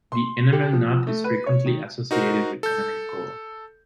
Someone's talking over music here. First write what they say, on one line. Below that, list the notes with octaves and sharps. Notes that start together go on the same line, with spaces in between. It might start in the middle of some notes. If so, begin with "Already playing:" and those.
The enamel knot is frequently associated with an enamel cord.
C6
G4
F3
A3
B4
C#5
D#3
D#4 F#4 A#4 C5
A4 G6